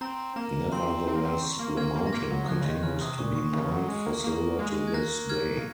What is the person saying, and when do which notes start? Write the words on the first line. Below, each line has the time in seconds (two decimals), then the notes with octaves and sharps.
Nevertheless, the mountain continues to be mined for silver to this day.
0.01 C4 A#5
0.36 A#3 A#5
0.72 C4 C6
1.08 C4
1.16 A#3
1.25 C4
1.42 C#6
1.59 A#3
1.77 A#3 F6 G#6
1.96 A#3
2.07 A#6
2.12 A#3 F6 G#6
2.31 F#3
2.43 G#6
2.48 F3 F#6
2.61 C#3
2.66 D#3
2.78 F#6
2.83 C#3 F6
3.01 C3 D#6
3.18 A#2 C#6
3.36 C#6
3.53 C#3
3.72 F#3
3.89 G#3
4.06 A#3
4.24 A#3
4.59 G#3
4.88 G#6
4.94 A#3 F#6 A#6
5.29 F6 G#6